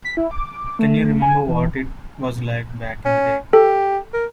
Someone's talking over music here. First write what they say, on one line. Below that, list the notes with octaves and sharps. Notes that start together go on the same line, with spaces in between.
Can you remember what it was like back in the day?
B6
E4
D6
A3
G#5
E3
C#4
G4 A4
A#4